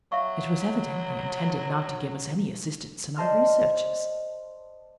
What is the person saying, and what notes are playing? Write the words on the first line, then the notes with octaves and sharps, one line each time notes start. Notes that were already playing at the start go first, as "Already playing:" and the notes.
It was evidently intended not to give us any assistance in our researches.
F#3 E5 F5 C#6
C5 D5 D#5 A5 C6 F6